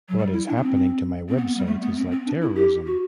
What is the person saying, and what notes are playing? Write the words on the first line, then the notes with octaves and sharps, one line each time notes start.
What is happening to my website is like terrorism.
F#3
G3
E4
D4
B3
C4
C4
B3
B3
G3
A3
B3
C4
C4
D4
E4
G4
F#4